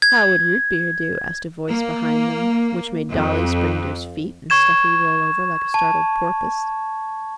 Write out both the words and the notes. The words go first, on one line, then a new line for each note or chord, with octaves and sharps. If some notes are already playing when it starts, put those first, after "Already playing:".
'How would root-beer do?' asked a voice behind them, which made Dolly spring to his feet and Stuffy roll over like a startled porpoise.
G#6
A#3
F2
C#6 G#6 E7
A5